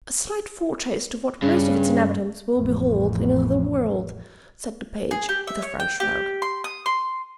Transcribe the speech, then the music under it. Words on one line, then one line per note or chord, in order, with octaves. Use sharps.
"A slight foretaste of what most of its inhabitants will behold in another world," said the page, with a French shrug.
G2 C#3
A1 F2
G#4
G4
E5
C#5
G5
G4
C6
D#6
C6